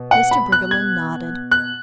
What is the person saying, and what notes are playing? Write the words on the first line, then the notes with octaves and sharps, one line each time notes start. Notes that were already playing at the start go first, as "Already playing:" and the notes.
Mr. Briggerland nodded.
Already playing: B2
F#5
B5
F#6
G#6
F#6